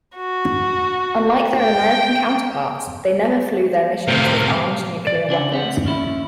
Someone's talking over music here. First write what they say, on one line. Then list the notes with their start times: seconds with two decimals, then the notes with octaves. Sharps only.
Unlike their American counterparts they never flew their missions with armed nuclear weapons.
0.16 F#4
1.58 G5
4.08 A2 C3 C4 F5
5.07 D5
5.29 C#3 D4 F#5
5.52 C4 G4 F#5
5.84 D#2 C#4 E4